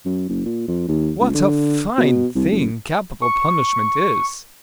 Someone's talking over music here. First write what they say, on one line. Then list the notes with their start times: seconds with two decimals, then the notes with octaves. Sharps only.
'What a fine thing capital punishment is!
0.05 F#2
0.29 F#1
0.45 A#2
0.68 F2
0.88 D#2
1.20 C#2
1.34 D3
1.98 B2
2.35 C2
2.51 F#1
3.22 C#6